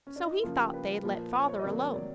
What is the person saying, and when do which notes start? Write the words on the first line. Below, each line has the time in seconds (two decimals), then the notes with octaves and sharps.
So he thought they'd let Father alone.
0.07 C#4
0.16 D4
0.25 D#4
0.35 E4
0.43 C#3 F3 A#3 F4
0.59 G4
0.74 B4
1.03 A#2 F3 A#3
1.34 C5
1.48 C#5
1.59 D#5
1.64 C3 D#3 F#3 A#3 D5
1.79 C#5
1.94 D5